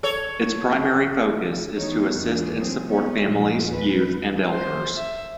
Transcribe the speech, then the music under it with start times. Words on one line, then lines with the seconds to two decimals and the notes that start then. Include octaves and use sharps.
Its primary focus is to assist and support families, youth and elders.
0.03 A4 C#5
1.75 E3 B3 D#4 C#5
2.20 E2 G#2 E3 D4 G#4
2.57 C#3 F#3 C4 G#4
2.87 B3 C#4 C#5
3.23 G2 A#2 F3 A#3
3.69 E2 B4
4.47 C5
4.96 E5